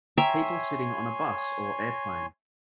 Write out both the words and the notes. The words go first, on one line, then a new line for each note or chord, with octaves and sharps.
People sitting on a bus or airplane.
C#5 E5 G5 G#5 A#5 C6